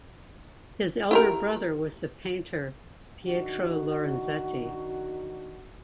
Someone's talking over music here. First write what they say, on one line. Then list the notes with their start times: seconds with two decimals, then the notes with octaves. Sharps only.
His elder brother was the painter Pietro Lorenzetti.
1.11 E4 G4 A#4
3.25 D#3 D4 F#4